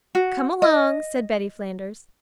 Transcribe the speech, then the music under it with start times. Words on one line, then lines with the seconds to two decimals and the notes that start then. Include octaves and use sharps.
"Come along," said Betty Flanders.
0.15 F#4
0.62 D#5